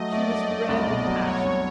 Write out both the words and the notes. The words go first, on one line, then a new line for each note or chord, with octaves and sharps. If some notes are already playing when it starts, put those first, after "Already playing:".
She was red with passion.
Already playing: F#3 A3 D#5
A3 D5
A3
A3
C2
B2
F#3
F#3 C#5
C2